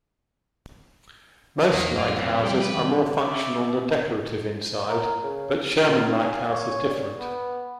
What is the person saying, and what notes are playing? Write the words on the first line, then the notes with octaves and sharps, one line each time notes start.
Most lighthouses are more functional than decorative inside, but Sherman Lighthouse is different.
E2 D#3 A#3
F#2 A2 F4 D5
F2 E3 A3
G3 G4
B4
D#3 G3
D5 E5
A#4
C#3
A#2 D#3
F5 G#5
C#5
D5
B3